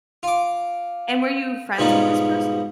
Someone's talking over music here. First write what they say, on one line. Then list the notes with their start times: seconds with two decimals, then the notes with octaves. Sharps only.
And were you friends with this person?
0.23 F4 D6
1.78 G#2 B2 F3 G3 G#3 D#4